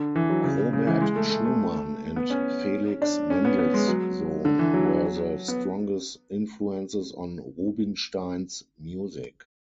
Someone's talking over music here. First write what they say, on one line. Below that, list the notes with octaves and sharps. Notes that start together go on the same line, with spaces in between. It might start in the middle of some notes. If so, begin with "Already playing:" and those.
Robert Schumann and Felix Mendelssohn were the strongest influences on Rubinstein's music.
Already playing: D3
E3
F#3
C#3
C#3
E3
G#3
A3
A3
A3
B3
C#4
D4
C#4
B3
B3
G#3
F#3
D3
E3
F#3
B3